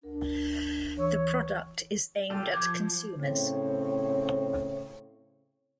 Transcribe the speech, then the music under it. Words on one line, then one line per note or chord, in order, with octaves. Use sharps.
The product is aimed at consumers.
D2 D4 A#4
E3 C#5 C#6 E6
F4 G4 A4
F3 D6 G6 G#6
A2 C#3 C4 C#5